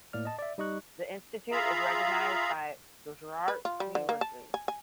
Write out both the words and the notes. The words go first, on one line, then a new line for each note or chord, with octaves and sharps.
The institute is recognized by Gujarat University.
A2 A#3 D5 F6
D#5 A5
D5 E5
G3 D#4 D#5 C#6 F#6
F4 G#4 E5 F5 A#5 B5
B4
F4
G3
D3
A#3
A5
G#5
G#5